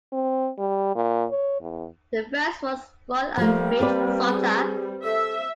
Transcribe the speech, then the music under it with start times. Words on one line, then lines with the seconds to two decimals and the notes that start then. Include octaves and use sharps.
The first was Ron and Rich Sutter.
0.12 C4
0.58 G3
0.95 A#2
1.31 C#5
1.61 E2
3.37 F3 G3 A3 A#3
3.80 C4 B4 D5
4.28 G#4
5.04 A4 E5